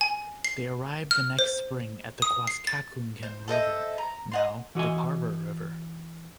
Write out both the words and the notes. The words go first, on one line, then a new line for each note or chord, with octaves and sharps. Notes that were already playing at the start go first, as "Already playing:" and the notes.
They arrived the next spring at the Quascacunquen River, now the Parker River.
G#5
C7
F6
C5
D#6
C7
A6
C5
A4 C5 D#5 E5
A#5
D#5 F#5 C6
E3 F#4 D#5 G#5